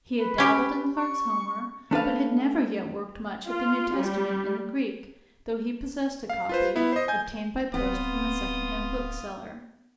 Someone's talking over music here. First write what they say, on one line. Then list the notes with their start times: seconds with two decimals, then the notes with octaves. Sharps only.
He had dabbled in Clarke's Homer, but had never yet worked much at the New Testament in the Greek, though he possessed a copy, obtained by post from a second-hand bookseller.
0.17 B4
0.38 C#4 G4
0.96 C#6
1.91 A3 D4 B4 F5
3.47 F4
3.98 G3
6.29 F5
6.49 F4 B4 C5
6.76 B3 E4
6.92 C5 D#5
7.08 G#5 G6
7.74 D1 B3 C4 F4 C6 D#6